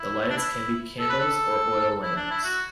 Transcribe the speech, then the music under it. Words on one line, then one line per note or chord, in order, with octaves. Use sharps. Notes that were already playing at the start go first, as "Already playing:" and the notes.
The lights can be candles or oil lamps.
Already playing: E4
D4
E4
A4
B4
A4
E4
D4
E4
F#4